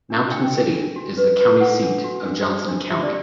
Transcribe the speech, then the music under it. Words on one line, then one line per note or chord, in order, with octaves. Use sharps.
Mountain City is the county seat of Johnson County.
D4
D4 G5
A4
D4
F#4
B4
B4
A4 F#5
D4
F#4
D4
C5
D4
G4 E5
D5